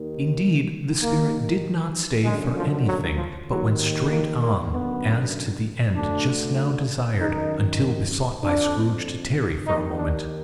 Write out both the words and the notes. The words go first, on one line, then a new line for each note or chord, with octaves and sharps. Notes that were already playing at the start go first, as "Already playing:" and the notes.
Indeed, the Spirit did not stay for anything, but went straight on, as to the end just now desired, until besought by Scrooge to tarry for a moment.
Already playing: D#2 D#3
D#2 D#3 A#3
F#2 D3 G#3
F3
F#3
F3
D#2 D#3 F#3
A#3
A#3
F#2 D3 B3
D2 D3 D4
F#2 D#3 D#4
F2 D3 D4
D#2 D#3 D#4
D4